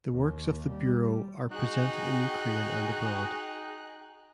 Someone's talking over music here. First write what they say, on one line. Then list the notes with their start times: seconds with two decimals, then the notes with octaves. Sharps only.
The works of the bureau are presented in Ukraine and abroad.
0.11 D#2
0.69 G3
1.51 D#4 F#4 G#4 G5 F#6